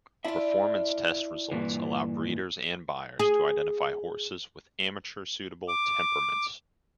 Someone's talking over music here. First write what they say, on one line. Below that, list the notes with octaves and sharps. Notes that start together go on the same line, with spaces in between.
Performance test results allow breeders and buyers to identify horses with amateur-suitable temperaments.
D4 E4 F4 E5
G2 A#2 E3
G#4
D6